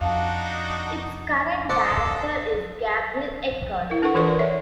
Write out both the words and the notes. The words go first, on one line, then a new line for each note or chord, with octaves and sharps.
Its current director is Gabriel Eckert.
F2 D4 D#4 F#4 F5 A5
D#4 A4 C5 D5 F#5
E4 A#4
D4 A4 B4 F#5 C#6
E3 F4 A4 B4 D5 C#6
A#4 D5
C#5 E5